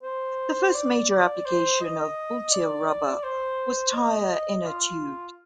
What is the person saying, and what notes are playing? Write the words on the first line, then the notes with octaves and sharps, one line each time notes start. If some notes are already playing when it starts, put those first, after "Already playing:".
The first major application of butyl rubber was tire inner tubes.
C5
D5
D5
C5
D#5
D5
C5
D#5
F4